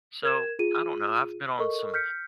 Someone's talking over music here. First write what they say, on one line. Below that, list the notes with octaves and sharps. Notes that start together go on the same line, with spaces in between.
so, I don't know, I've been on some
A#4 G#6 E7
F4 G#4 D#7
A4 A#4 D#5 C#6
F6 G6 B6 C#7